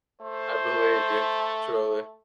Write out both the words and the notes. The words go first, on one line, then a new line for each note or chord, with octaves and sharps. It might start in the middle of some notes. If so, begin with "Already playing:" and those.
I believe you, truly.
A3 C5